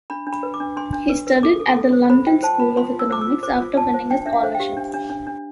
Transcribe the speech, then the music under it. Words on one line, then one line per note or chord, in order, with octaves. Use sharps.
He studied at the London School of Economics after winning a scholarship.
D4 B5
D4
B5
B4
D6
D4
D4 C6
D4
B4
B4
A4 D6
A4
A4
C5
C5 B5
F4 G5
C5 A5
F4 B5
F4 C6
F4
E6
C5 D6
E6
F4
C5 D6
F4
F4 A5
C5
D4 G5
D4 E5
F5
C5
G5
G4
D4
D4
D4
D4